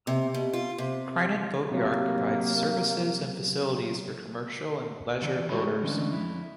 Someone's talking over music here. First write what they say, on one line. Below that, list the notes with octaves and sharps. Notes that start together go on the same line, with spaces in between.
Crinan Boatyard provides services and facilities for commercial and leisure boaters.
C3
B2
F4
C3
C3 F#3 A#3
C#3 E3 D5
A#2 G#3 F#4 G4 C#5 B5
G#3 A3
D3 E3 G#3 A3 C#4 D4
F2 E4